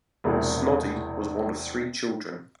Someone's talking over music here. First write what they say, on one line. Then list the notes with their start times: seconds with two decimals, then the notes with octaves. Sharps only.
Snoddy was one of three children.
0.24 E1 A#1 E2 C3